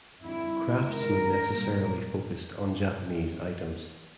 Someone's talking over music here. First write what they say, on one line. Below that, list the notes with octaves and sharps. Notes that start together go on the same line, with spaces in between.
Craftsmen necessarily focused on Japanese items.
F2 D3 G3 E4
C3 D#3 G#3 A#4
A#2 G3